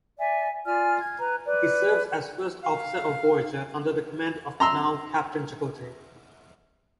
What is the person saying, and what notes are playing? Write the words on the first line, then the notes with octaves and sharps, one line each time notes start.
He serves as First Officer of "Voyager", under the command of now-Captain Chakotay.
D5 E5 G#5
F4 D5 G#5 F6
G#6
B4 A#5
B4 D5
F5
A#5 C6 E6